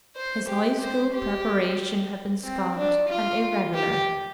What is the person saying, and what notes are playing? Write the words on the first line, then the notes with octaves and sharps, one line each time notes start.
His high school preparation had been scant and irregular.
C5
G4
C5
G4
C4
D4
F4
G4